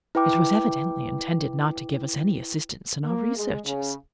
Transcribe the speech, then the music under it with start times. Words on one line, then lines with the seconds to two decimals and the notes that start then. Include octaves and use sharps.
It was evidently intended not to give us any assistance in our researches.
0.15 E4 B4 G5 D6
3.04 A#3
3.36 G#3
3.65 C#3